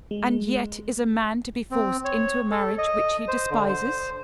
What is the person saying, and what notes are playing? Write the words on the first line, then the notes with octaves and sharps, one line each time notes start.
And yet is a man to be forced into a marriage which he despises?
G#3
C4
C#5
A4
D#5
C5
D3
C5